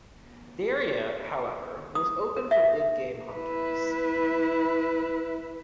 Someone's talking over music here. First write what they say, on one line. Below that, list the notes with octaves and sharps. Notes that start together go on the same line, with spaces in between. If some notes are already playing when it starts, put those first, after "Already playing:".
The area, however, was open for big game hunters.
D#6
A#4
E5
E4 B4